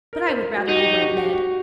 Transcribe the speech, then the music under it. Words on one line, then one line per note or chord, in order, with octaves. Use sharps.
But I would rather you went, Ned.
A#4
C5
A#4
F#4
D#4 F#4
G4
F#4
G4
F#4
G4
F#4
G4
F#4